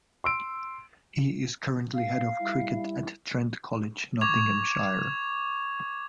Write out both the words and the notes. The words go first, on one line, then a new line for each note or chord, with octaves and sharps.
He is currently Head of Cricket at Trent College, Nottinghamshire.
C6 E6 D7
F5
G3 E4
C#6 D6 G#6 F7